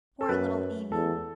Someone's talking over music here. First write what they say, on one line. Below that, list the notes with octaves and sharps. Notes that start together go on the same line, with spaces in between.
Poor little Amy!
A4
F#2 B4
E2 A4